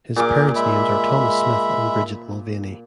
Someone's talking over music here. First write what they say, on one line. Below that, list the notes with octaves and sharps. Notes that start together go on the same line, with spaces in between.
His parents names are Thomas Smith and Bridget Mulvaney.
A#2 G#4 A#4 D6
G#3 E5 B5